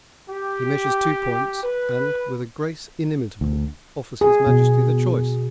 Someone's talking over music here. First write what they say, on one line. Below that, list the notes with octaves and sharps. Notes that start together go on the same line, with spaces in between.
He measures two points, and, with a grace inimitable, offers his Majesty the choice.
G4
B4
D2
G#4
B2